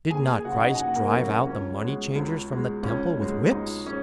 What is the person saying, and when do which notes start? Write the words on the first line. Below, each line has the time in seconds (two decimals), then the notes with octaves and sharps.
"Did not Christ drive out the money-changers from the temple with whips?"
0.10 D#2 G#4 G#5
0.27 G#4 G#5
0.44 C#3 F#3 F#4 F#5
0.62 D#4 D#5
0.75 G#5
0.79 D#2 F#4 F#5
0.96 A#3 A#4
1.12 C#3 F#3 F#4
1.47 C#2 C#4
1.81 B2 G#3
2.16 C#2
2.50 B2 G#3
2.83 C#2 C#4
3.17 B2
3.22 G#3
3.51 C#2 D#4
3.85 G#3 C#4